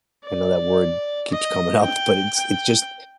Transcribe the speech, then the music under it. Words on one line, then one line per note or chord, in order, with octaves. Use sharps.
I know that word keeps coming up, but it's it's just
D5
D#5
G5
G5